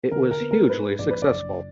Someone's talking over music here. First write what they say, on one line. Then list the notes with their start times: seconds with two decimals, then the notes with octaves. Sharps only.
It was hugely successful.
0.11 D3 A#4
0.31 A#4
0.40 B3
0.51 A#4
0.69 G#2 B4
0.99 A#1 D5
1.10 B4
1.22 D5
1.28 F#1